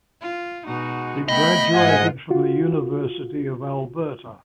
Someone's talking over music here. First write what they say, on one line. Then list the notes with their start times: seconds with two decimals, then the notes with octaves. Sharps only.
He graduated from the University of Alberta.
0.22 F4
0.67 B2 G#3 D#4 F#4
1.28 A3 B3 D#5 G5 B5
1.74 G#2 F4 F#5 G#5
2.30 F4 F#4